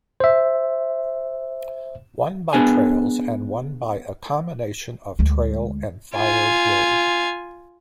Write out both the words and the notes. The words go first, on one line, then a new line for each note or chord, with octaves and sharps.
One by trails and one by a combination of trail and fire road.
C5 E5
B3 D4 G#4 G#5
D2 G#3
F4 G#5